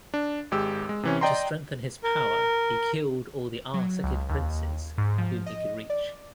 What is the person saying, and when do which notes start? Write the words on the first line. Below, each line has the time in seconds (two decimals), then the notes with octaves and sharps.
To strengthen his power he killed all the Arsacid princes whom he could reach.
0.14 D4
0.51 G#1 G#3 G4 E6
0.89 G#3
1.03 C3 E3 C#4
1.21 D5 D#5 G5 A#5 C6
2.04 A#4
3.74 F#3
4.04 C#2
4.29 D#2
4.98 G#2
5.18 F3
5.46 D#5
5.90 D5